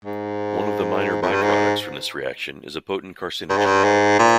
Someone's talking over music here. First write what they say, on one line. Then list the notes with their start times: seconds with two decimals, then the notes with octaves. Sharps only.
One of the minor by-products from this reaction is a potent carcinogen.
0.05 G#2
1.22 F2
1.32 G2
1.43 G#2
3.50 G2
3.58 G#2
3.66 G2
3.84 G#2
4.19 A#2